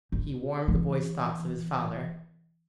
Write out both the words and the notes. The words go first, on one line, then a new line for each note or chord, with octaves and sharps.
He warmed the boy's thoughts of his father.
D3
E3